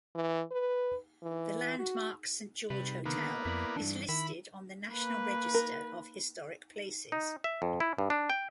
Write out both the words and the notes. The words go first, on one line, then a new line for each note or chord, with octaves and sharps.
The landmark Saint George Hotel is listed on the National Register of Historic Places.
E3
B4
E3
F#4
C3 G3 B4
D3 D#3 A#3 B3
F2 E4 D5
G2 E3 D4
D#3 E4 B5
A#3 B4
A#4
D#4
E5
F2
E4
G2
D4
G5